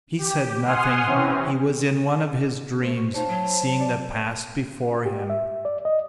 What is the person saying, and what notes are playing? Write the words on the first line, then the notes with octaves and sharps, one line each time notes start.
He said nothing, he was in one of his dreams, seeing the past before him.
G4
F#5 G#5 C6 D#6 F6
C3 E3 C4 C#4
A3 C5
F#4
D#4 F4 C5 C#5 A5
F#3
D5
G4
E5
D5
D#5